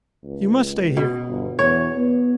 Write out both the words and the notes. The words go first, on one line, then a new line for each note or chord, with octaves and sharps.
You must stay here.
C#2
B2
G1
E2 C#5
B3